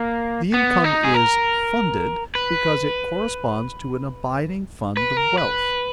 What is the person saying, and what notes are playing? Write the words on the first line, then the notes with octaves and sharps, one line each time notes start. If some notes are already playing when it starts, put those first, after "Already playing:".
The income is "funded" because it corresponds to an abiding fund of wealth.
Already playing: A#3
B3
D#4
G#4
A#4
B4
B4
A#4
B4